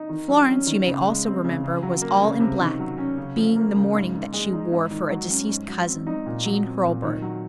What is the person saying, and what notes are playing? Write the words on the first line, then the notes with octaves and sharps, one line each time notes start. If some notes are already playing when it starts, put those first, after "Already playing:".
Florence, you may also remember, was all in black, being the mourning that she wore for a deceased cousin, Jean Hurlbird.
Already playing: D#4
D#3
F#3
C#4
D#3
C#3
G#3
C4
C#3
C#3
F#3
A#3
C#3
C3
D#3
F#3
C#4
C#3
F3
A#3
C#3
G#2
D#3
G#3
D#4
G#2
D#3
F#3
C#4
G#2
F#3
C4
D#4
A#2
F#3
C4
A#2
D#3
F#3